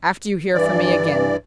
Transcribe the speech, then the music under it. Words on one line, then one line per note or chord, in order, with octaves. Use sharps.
After you hear from me again.
G2 E3 D5